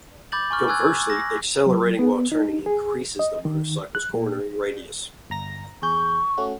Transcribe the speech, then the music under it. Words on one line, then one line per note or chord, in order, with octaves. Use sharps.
Conversely, accelerating while turning increases the motorcycles cornering radius.
B5 D6 G6 A6 F#7
G#5 C#6 F6
G#5 E6 F#6 G#6
A#6
F#3
B3
D#4
G#4
D#5
D#3
F#6
A#2
G1 A#5 A#6
E2 G#4 C#6 G6
A3 C#4 F#4